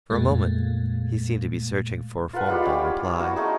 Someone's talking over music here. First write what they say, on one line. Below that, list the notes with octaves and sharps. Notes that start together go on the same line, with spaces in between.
For a moment he seemed to be searching for a formidable reply.
F2 A#2 G#3 A3
F4 A#4 B4 F#5
G3 G#3 E4 F4
G3 C#4 G4 D5
C#4 E4 F#4 A#4
G#3 A3 D#4 G#4